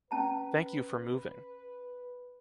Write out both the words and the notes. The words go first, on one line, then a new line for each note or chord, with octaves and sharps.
Thank you for moving.
C#4 B4 A5 A#5